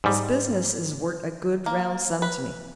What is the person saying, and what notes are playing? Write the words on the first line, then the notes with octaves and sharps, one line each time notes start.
His business is worth a good, round sum to me.
G#2 G3
A#3
B4